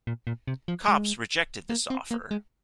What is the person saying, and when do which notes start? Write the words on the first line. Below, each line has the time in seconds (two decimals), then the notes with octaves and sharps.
Copps rejected this offer.
0.07 A#2
0.27 A#2
0.48 C3
0.68 F3
0.88 G#3
1.69 A#3
1.90 C4
2.11 A#3
2.31 G#3